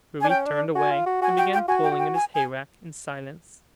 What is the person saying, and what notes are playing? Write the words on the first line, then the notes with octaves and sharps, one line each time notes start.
Ruby turned away, and began pulling at his hayrack in silence.
D4 G#5
C#4 G5
D4
F#4 G#5
F4
F#4
F#4 G#5
G5
G5
F4
F#4 G#5
G5
F#4
G5
G#5
G#5